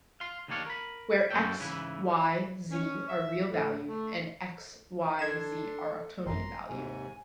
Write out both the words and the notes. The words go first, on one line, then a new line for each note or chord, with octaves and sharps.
Where "x", "y", "z" are real valued and "X", "Y", "Z" are octonion valued.
F5 C6
D#2 D#3 A#3 D4 C#5 F5
A#4 B5
F#2 A#3 F#4 A4 G5
G#2 C#3 E3 E4
C#4
E5
A2
A3
D4 A4 C6 G#6 E7
G#1 F#2 A#5 C6
D#2 G#2 C3 G#5